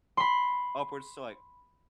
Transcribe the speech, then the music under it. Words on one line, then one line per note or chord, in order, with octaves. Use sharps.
upwards to, like,
B5 C6